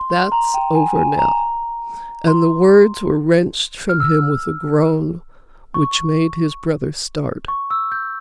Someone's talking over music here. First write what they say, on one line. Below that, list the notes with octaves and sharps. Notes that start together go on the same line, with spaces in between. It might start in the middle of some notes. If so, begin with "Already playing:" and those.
"That's over now." And the words were wrenched from him with a groan, which made his brother start.
Already playing: C6
C6
A#5
G5
G#5
G#5
A#5
C6
F6
E6
C#6
C#6
E6
G6